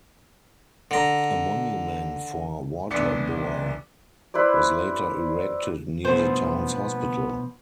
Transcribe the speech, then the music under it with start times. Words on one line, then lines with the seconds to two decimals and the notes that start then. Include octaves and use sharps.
A monument for Waterboer was later erected near the town's hospital.
0.91 D3 A#5
2.90 C2 D3 E3 B3 D5 C#7
4.34 E4 B4 C5 D5
6.05 B2 F3 B3 C5